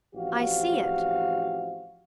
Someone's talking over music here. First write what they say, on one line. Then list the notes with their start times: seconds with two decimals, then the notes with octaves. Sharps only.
I see it!
0.15 A1 F3 C4 F#4 G4 F5